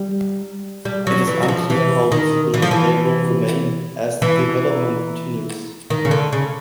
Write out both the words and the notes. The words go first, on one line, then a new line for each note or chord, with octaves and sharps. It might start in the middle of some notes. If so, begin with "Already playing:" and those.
It is unclear how visible they will remain as the development continues.
Already playing: G3
G3
F#3
E3
F#3
F3
E3
D#3
E3
F3
E3
E3
D#3
C#3
D3
C#3